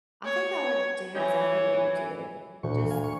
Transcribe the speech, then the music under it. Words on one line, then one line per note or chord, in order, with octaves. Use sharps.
I think I would do exactly what you did. Just
C#5
E3 C#5
D2 A#2 E3 C#6
F5 G#5
C#6